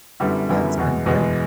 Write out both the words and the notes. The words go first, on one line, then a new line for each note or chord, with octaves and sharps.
Yeah. It's been great.
F#2 D3 G3 B3 E4
F#2 D3 G3 B3 E4
E2 B2 G#3
E2 B2 G#3